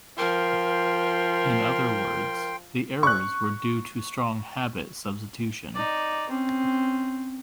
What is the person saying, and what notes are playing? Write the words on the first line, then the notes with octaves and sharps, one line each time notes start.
In other words, the errors were due to strong habit substitution.
F3 A#4 G5 C6
C#6 F#6
D#4 D5
C4 C#4